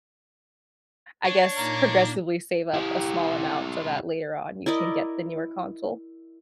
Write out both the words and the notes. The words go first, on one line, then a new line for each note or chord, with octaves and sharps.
I guess, progressively save up a small amount so that later on, you can get the newer console.
D4 C#5
A#2 A#3 D#4 A#4 A#6
E4 G4
E4 A#4 D5 D#5